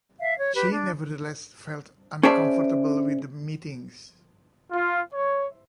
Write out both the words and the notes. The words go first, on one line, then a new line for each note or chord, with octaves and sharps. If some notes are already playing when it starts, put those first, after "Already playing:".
She nevertheless felt uncomfortable with the meetings.
E5 F5
C#5
G4 B4
D4
C#4 G#4 C5 D5 E5 A5
F4
C#5